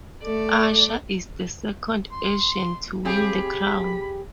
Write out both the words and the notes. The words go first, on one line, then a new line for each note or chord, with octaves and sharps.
Asha is the second Asian to win the crown.
A3 D5
C6
C3 G4 G#4 B5